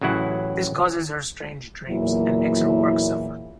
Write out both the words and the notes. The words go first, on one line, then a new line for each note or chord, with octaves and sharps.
This causes her strange dreams, and makes her work suffer.
A1 C#3 F#3 E4 F#5
E2 A#2 F#3 A#3 E4